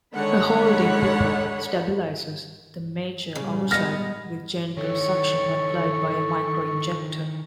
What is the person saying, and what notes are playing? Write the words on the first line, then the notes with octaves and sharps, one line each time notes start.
A holding pipette stabilizes the mature oocyte with gentle suction applied by a microinjector.
D3 D#3 G#3 C#5 F#5 B5
A#2 C#3 G3
G#3 B3 F6 A#6
D#3 E4 A4 C#5 C#6